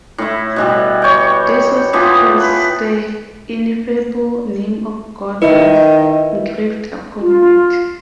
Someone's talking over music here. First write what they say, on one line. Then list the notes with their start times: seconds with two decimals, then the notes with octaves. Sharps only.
This was because the Ineffable Name of God was engraved upon it.
0.18 A2 E4
0.56 B2 E3 G3
1.02 C#5 G5
1.93 E3 F3 B3 G4
2.40 B4
5.42 D#3 E4 B4 D#5
7.21 F4